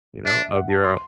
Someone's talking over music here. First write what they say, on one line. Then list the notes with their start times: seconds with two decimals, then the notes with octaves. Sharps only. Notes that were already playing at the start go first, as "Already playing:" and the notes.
you know, of your, uh
0.24 D4 E5
0.45 E5
0.55 F#5
0.69 A5
0.84 C6